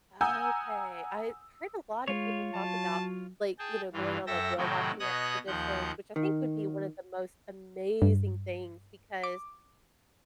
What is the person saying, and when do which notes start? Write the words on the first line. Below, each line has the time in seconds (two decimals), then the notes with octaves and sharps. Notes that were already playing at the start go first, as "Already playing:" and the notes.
Okay. I heard a lot of people talk about, like, you know, going on, like, whale-watching expeditions, which I think would be one of the most amazing things because
0.21 F#5 G#5 A#5 D#6 E6 G6
2.08 G#3 F4 C#5
2.55 F#3 A5
3.59 G#4 G5 A5
3.93 G2 E3 F4
4.27 F#2 A4 E5 G5 E6 A#6
4.58 A2 C3 D#3 F#3 F#4 G5
5.00 B2 C#5 D#5 D#6 F#6 A#6
5.47 D#2 F3 F#5 G6
6.16 D#3
8.02 G2
9.24 D6